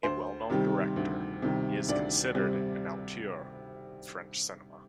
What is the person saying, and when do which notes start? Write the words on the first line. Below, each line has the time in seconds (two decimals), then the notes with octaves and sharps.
A well-known director, he is considered an "auteur" in French cinema.
0.03 D2 C5
0.50 C3 D#3 G3
0.96 D2
1.42 C3 D#3 G3
1.88 D2 D5
2.35 C3 G3